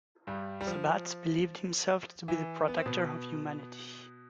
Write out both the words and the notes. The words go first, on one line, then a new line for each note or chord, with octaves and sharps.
Sabbath believed himself to be the protector of humanity.
G2 G3
G3
F3
E3
B3
C4
B2 B3